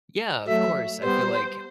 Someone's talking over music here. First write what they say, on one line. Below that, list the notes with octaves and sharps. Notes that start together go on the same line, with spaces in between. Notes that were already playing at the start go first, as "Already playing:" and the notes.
Yeah, of course. I feel like
F#3 A3 E5
G3 B3 C5